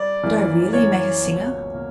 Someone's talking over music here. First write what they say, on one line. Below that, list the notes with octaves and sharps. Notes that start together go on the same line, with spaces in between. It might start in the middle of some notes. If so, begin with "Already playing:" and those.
Would I really make a singer?
Already playing: G3 D5
F#2 E3 A#3
F#2 E3 A#3 C#5
C#2 B2 A#3
B2 A#3